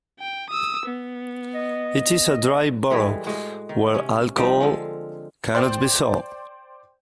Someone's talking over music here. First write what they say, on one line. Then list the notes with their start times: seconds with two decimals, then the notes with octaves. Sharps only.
It is a dry borough, where alcohol cannot be sold.
0.20 G5
0.50 D#6 E6
0.86 B3
1.55 D#5
2.90 A2 E3 G3 G#3
3.27 A2 G#3 F#4
3.69 D#3
3.94 C3 C#4
4.36 F3 G3 C4 D#4
4.60 D3 G#3 F4
5.55 C5 D5 G5 C6